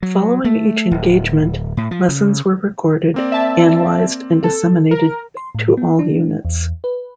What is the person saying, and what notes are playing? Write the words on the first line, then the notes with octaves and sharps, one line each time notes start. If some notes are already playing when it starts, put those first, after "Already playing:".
Following each engagement, lessons were recorded, analyzed and disseminated to all units.
F#3
A3
D1
A2
F3
C#3
A#3 C4 D5
E5 A5
A4
A#4
C6
A2
B3
D4
E2
B4